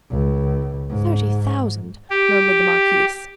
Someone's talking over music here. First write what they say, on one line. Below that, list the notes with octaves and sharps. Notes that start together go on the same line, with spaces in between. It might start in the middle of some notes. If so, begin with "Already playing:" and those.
"Thirty thousand," murmured the marquise.
C#2
G#2
G4